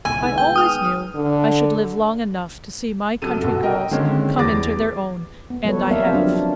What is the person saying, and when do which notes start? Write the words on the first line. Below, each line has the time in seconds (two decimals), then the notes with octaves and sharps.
I always knew I should live long enough to see my country girls come into their own, and I have.
0.05 C2 A#2 G#5 E6
0.22 D#3 G#3 B3
0.38 G5
0.56 D#6 F6
1.15 D3
3.22 F#2 C3 A4 D#7
3.42 B1 F#4 A4
3.63 A#4 D#5 G5
3.91 D3 D#3 G#3 A#3 C4 C#4
4.37 E2 G3 G#4 D6 A6 A#6
5.50 B3
5.65 F3 G3 B3 A4 B4 C#5
5.90 A#3 C4 A#4 D5 E5 F5
6.13 F3 F#3 D4